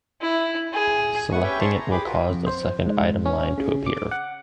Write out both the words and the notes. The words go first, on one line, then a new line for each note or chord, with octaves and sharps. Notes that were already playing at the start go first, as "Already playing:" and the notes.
Selecting it will cause a second item line to appear.
E4
G#4
A3 B3 F#5 C#6
C#4 G4 B4 C#5 E5 G5
G#4 C#5 A5 C6 C#6
A#5
G4 G#4 B4 B5 D6
F4 F#4 A#4
F2
C5
G#2
C#4
C#3
D6
F#5